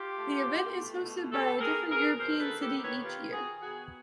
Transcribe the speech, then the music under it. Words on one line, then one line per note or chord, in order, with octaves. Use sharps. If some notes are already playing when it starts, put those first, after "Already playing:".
The event is hosted by a different European city each year.
Already playing: F4 G4
A3
B2
A3
B2
B2 G4 A4
B2 G#4 A#4
B2 G#4 A#4
D#3 A#4 C5
A4 B4
B3
G4 A4
D#3
B4 C#5
D#3 F4 G4
D#3 F#4 G#4
B3 F#4 G#4